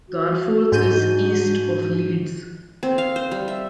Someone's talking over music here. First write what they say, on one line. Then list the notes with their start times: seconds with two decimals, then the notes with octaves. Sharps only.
Garforth is east of Leeds.
0.08 F#4
0.72 G#2 D4 G6 D#7
2.83 C4
2.98 F5
3.16 C5
3.31 G3
3.48 E5